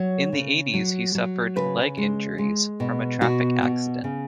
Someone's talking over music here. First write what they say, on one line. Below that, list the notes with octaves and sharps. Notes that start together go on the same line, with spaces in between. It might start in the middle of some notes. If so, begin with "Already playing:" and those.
In the eighties he suffered leg injuries from a traffic accident.
Already playing: F#3 C#5
C#3
F#3
F#3
C#3 B4
G#3
G#3
B2
B2 F#4
B2
C#3